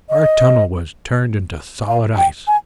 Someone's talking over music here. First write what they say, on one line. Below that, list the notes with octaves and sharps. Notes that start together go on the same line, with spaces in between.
Our tunnel was turned into solid ice.
D#5
F5
G5
G#5